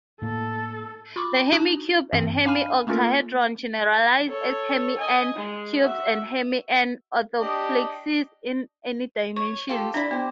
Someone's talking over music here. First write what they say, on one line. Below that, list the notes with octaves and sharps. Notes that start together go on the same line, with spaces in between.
The hemi-cube and hemi-octahedron generalize as hemi-"n"-cubes and hemi-"n"-orthoplexes in any dimensions.
A2 A#3 A4
F4 B5 C#6 D6
D4 D#4 F#4
G2 E3 C4
D4 F5 G#5 B5 F6 D#7
A3 A#3 C#4 F4 A4 A#4
A4 C#5
D#5 G#5
G#3
F#4 E5
D4 G4 D#5
C#5 C#6
F4 G4 A4
D4 E4 D5 B5
B3 G4 C5